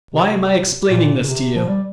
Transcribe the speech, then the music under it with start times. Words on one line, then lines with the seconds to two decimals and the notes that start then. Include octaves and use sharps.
Why am I explaining this to you?
0.14 C3
0.90 A#2
1.24 C#3
1.29 C3
1.56 F3
1.68 G3